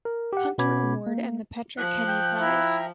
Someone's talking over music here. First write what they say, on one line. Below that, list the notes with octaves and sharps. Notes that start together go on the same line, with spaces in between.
Hunter Award, and the Petra Kenney Prize.
A#4
G4 F#5
B2 B3 C#4 B5 D6 G#6
A#3
F3 F#6
G5
E4 E5 G5 A#5